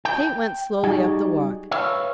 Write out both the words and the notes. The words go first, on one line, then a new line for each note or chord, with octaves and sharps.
Kate went slowly up the walk.
G5
G3 D#4 F#4 G#4
B4 C#5 E5 F5